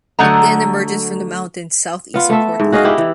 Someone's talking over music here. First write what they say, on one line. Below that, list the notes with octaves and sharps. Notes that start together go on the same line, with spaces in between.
It then emerges from the mountains southeast of Portland.
D3 F#3 A3 D#5 F#5 A#5
B3 F4
A3 A4 E5
G#2
F#4 G#4 D#5 F5
D#4 E4 G4
E3